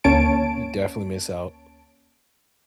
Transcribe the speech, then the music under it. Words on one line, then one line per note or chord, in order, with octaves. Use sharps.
Y you definitely miss out.
D2 A#3 C#4 C#5 A5 D7